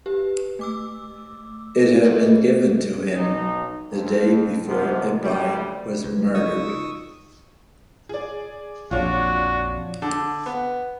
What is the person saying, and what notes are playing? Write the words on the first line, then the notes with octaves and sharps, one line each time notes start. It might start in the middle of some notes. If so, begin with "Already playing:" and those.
It had been given to him the day before Ippei was murdered.
G4 B4
A3 D6 E6
G#4 A4 B4 C#5 D#5 E5
B1 D#4
F2
G#2 C3 F3 B3 F4
D2 A2 G3
C#2 B4
D#4 F4 D#5 C#6 D#6 E6
G#4 D5
A#1 F2 D4 F4 F#4 C#5
D3
B3